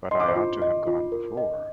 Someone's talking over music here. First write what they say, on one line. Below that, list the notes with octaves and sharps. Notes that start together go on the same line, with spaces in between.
But I ought to have gone before.
D#5 C6
D6
C5 C6
F4
D#5
F4
A#4
D#5